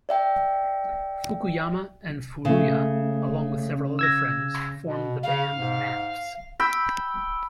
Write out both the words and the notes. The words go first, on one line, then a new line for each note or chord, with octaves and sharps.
Fukuyama and Furuya, along with several other friends formed the band Maps.
D5 E5 G5
C#3 A3 C#4
E6 G#6 A#6
B2
C#3 F5
G#2
G5 B5 E6